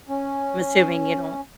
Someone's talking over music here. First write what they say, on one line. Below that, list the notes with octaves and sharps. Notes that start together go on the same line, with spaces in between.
I'm assuming you don't
C#4